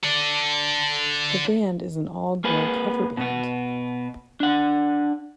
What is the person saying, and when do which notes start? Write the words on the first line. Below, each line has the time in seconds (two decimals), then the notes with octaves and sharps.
The band is an all-girl cover band.
0.04 A4 D5
2.44 A#3 G#4 B4
3.17 B2 B3
4.40 D4 F#5